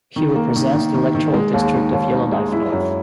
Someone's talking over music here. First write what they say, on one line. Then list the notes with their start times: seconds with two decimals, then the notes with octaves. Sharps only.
He represents the electoral district of Yellowknife North.
0.16 D#3
0.36 A#3
0.56 D#3
0.75 D#3
0.94 D#3
1.15 D#3
1.34 G#3
1.54 D#2
1.74 D#3
1.93 D#2
2.13 D#4
2.32 G#3
2.53 E4
2.72 F#2